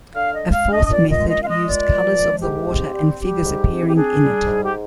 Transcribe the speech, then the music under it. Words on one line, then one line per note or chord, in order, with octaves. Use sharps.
A fourth method used colors of the water and figures appearing in it.
D3 F5
D#5
G#3
F5
D4
D#5
D#5
A#2 D5
D#5
G#3
D#5
G#3 F5
D#5
A#2 D5
F3
G#3
G#2 G4
C4
G3
G3 G4
G#2
C4
G4
D4 G#4
G3
G#2
G4